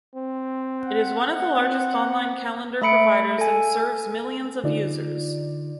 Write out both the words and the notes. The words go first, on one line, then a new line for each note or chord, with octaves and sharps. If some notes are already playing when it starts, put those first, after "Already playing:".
It is one of the largest online calendar providers and serves millions of users.
C4
F#5
C4
A3 E5 B5 C#7 D7
A4 G#5
D3 D#4 F4 D5